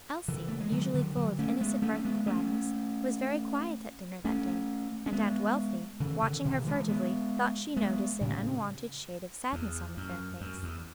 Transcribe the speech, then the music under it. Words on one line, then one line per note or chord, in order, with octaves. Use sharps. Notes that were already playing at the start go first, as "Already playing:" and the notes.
Elsie, usually full of innocent mirth and gladness, was very quiet at dinner that day, and Aunt Wealthy, watching her furtively, thought she noticed an unwonted shade of sadness on the fair face.
C#3 E3
A3
G#3
D3 F#3
D3 F#3
D3 F#3
A3 C#4
G#3 B3
A3 C#4
C#4
G#3 B3
A3 C#4
A3 C#4
C#4
G#3 B3
C#3 E3
C#3 E3
B2 D3
E3 G#3
G#3 B3
G#3 B3
A2 C#3
E2
F#2
F#2
E2